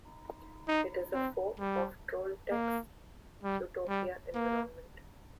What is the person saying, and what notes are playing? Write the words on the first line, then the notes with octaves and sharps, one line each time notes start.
It is a fork of Trolltech's Qtopia environment.
D#4
C4
G3
A#3
G3
G3
A#3